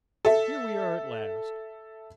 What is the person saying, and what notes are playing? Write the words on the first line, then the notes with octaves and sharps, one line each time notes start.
'Here we are at last.
A4 E5